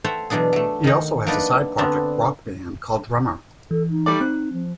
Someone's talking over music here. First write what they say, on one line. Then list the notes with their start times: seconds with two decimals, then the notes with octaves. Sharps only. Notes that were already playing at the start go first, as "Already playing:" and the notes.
He also has a side-project rock band called Drummer.
0.04 A4 C5 C#5 E5 F#5 G5
0.30 B2 E3 F#3 D4 G#4
0.53 F#3 A3
0.84 D#3 D#4
1.27 F#3 A#3 D4 D#4 B4 D5
1.78 D3 B3 C4 D4
3.71 E3 A4
3.90 D#4
4.06 G3 A3 D5
4.20 C4 F#6
4.53 F3